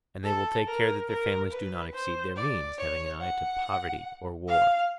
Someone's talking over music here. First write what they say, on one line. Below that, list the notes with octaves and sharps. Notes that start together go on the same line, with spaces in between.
And they will take care that their families do not exceed their means; having an eye to poverty or war.
A4
A#4
A#4
B4
C5
D5
C#5
F#5
F5